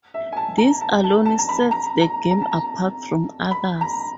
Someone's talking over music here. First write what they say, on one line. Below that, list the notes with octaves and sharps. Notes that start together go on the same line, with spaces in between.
This alone sets the game apart from others.
E5
G#5
A5
A#5
A5
A5
A5
A#5
B5
A#5
A#5
A#5
A5
A#5
B5
A#5